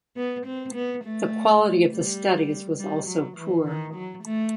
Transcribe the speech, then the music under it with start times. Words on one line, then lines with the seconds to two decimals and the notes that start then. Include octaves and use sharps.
The quality of the studies was also poor.
0.17 B3
0.46 C4
0.75 B3
1.04 A3
1.92 G3
2.79 G3
3.07 F#3
3.37 E3
3.65 D#3
3.94 F#3
4.24 A3